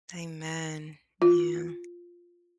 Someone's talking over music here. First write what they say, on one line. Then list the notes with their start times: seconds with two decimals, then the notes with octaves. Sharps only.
Amen, yeah.
1.22 F4